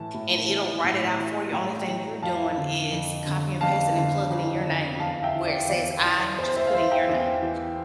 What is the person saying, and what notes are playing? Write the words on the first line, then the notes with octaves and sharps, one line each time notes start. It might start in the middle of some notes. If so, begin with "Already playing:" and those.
and it'll write it out for you. Only thing you're doing is copy and pasting and plugging in your name. Where it says I, you just put in your name
Already playing: A2 E3 A5
A2
E3
A2
E3
A2 G5 A#5
E3
F2 F5 A5
D3
F2
D3
F2 F5 A5
D3
F2
D3
E2 F5 A5
F5
E5 G5
E3
D5 F5
E2 D5
E3
E2 C5
C5 E5
F5
E3 C5 E5
E5 G5
E2
E3